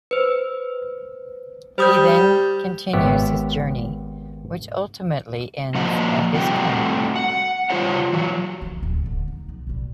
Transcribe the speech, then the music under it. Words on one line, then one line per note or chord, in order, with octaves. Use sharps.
He then continues his journey, which ultimately ends at his home.
B4 C5
G3 C5 D#6 G6
G#1 B3 G4 C#5 E5
F3 A#3 F#4 D#5 F#5
G3 A3 C4 F#4 F#5 G5
F#5
G3 A3 F4 C5 C#5 F#5
E3 F#3
D3 E3
D1
D3
D#4
B1
A1 G3